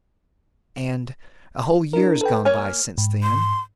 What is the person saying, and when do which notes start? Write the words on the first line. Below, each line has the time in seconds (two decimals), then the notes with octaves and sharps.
And--a whole year's gone by since then.
1.93 D4 E4 A#4
2.21 A4 B4 G5
2.45 A#3 C#5 G#5 F6
2.98 G#2
3.23 C6